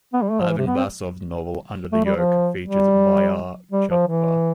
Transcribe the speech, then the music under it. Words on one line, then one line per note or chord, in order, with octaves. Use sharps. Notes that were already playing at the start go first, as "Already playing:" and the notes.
Ivan Vazov's novel "Under the Yoke" features Byala Cherkva.
B3
G3
A3
F3
E3
C3
B3
C4
A3
G3
F3
G3
G3
F3
E3